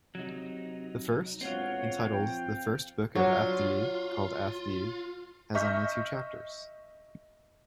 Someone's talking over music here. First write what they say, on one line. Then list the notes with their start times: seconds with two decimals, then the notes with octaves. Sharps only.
The first, entitled "The First Book of Athlyi Called Athlyi", has only two chapters.
0.15 C3 F#3 D#4
1.41 E1 C4 F4 C#5 F#5
2.11 F2 G5
3.15 F#3 D4 F4 C#5
5.55 D#5 E5 C#6 F6 G6 B6